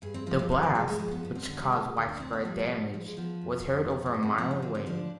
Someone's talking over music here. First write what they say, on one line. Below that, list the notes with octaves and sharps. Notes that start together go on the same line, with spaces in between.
The blast, which caused widespread damage, was heard over a mile away.
G2 G#4
C4
F3 C4
G#3
G2 G3
G#3
G2 G#3
G#3
F3 G#3
B3
G2 B3
C4
D3 B3
G3
G2 G#3
D2
D4
D3 C4
B3
F3 G3
D2
F3 G#3
G#3
F3 B3
F2
F2
D3 C4
G#3
G2
C4
F3 C4
B3
D3
C4
F3 D4